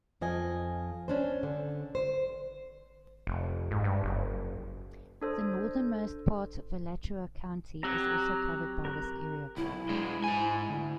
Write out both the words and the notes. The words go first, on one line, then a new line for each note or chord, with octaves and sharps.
The northernmost part of Alachua County is also covered by this area code.
F2 F3 D#5 G#5
C#4 D4 C5
D3
C5
F1
G#2
G2
F#1
D4 A4 C5
F#3 C4 G4 A#5
A#4 F#6
B1 E4
G#3 D4
G#2 G#5
D2